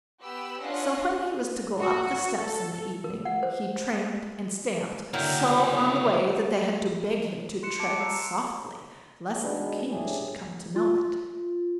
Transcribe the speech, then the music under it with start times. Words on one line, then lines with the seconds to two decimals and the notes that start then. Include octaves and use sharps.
So, when he was to go up the steps in the evening, he tramped and stamped so on the way, that they had to beg him to tread softly lest the King should come to know it.
0.23 B3 G4 B5 E6
0.62 C#4 D4 F4 D#5 F#5
1.80 F#4
2.37 A4
3.04 A#4
3.25 F#5
3.43 C5
5.14 D3 F#3 A#3 E4 A#4 G5
7.63 C6 F#6 C#7 E7
7.80 A5 D6 D7
7.99 A5 A#5 E6 C7 C#7
9.42 B2 D#3 G#3 B3 D4
9.90 A2 A3 C#4 D4 G4 G#4
10.76 F4